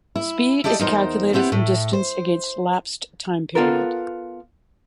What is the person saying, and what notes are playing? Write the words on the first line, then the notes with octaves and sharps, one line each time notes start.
Speed is calculated from distance against lapsed time period.
E4
E4 G4 A4 D5 D#5
E2 D#4 A#4 C5
B3 C4 E4 G4 F#5
A2 A3
C5
B3 F4 A4 A#4